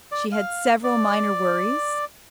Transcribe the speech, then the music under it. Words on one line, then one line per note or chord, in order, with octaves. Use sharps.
She had several minor worries.
D5
F5
D5